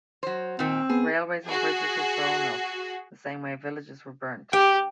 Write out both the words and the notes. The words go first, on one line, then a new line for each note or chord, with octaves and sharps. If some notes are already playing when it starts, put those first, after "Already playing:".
Railways and bridges were blown up, the same way villages were burnt.
F#3 C5
A#2 D#3 C4
B3 G#4
F#4 G#4
G4 G5